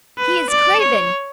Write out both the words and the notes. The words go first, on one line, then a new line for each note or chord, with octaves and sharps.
He is craven!
B4
D5
C#5